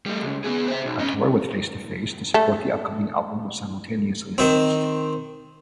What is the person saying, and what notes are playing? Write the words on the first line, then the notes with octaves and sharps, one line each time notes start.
A tour with Face to Face to support the upcoming album was simultaneously announced.
G3 A3
C#2
B3 G#4
C5 E5
B1
C#4 D#5
A3
D#3 C4